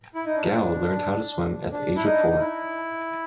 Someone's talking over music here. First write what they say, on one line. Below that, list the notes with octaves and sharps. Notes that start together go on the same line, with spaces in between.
Gao learned how to swim at the age of four.
E4
D#4
D4
D4
E4
D#4
D4
D#4
E4